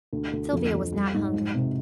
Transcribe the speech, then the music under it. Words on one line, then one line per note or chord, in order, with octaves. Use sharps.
Sylvia was not hungry.
D2
D2
F2
F2
G3
G#2
G#3
C3